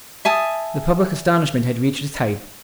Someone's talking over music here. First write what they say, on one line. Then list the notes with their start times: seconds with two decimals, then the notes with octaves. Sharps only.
The public astonishment had reached its height.
0.25 E5 G#5 A5 D#6